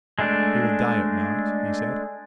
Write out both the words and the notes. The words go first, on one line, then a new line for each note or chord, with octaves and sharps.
"He will die at night," he said.
G#3 A3 D4